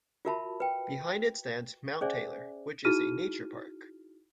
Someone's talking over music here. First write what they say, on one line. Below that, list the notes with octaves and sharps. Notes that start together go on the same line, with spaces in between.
Behind it stands Mount Taylor, which is a nature park.
F4 F#4 A#4 E5 A5 B5
B4 G5
C#4 G#4 C5 D5 E5 G#5
D#4 E4 F#4 G#4 F6 D#7